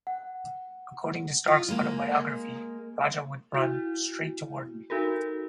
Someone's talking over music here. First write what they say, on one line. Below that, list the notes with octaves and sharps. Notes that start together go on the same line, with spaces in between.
According to Stark's autobiography, Rajah would run straight toward me.
F#5
F4
G#3 A#3
E4 F#4
D#4 F#4 A4 A#4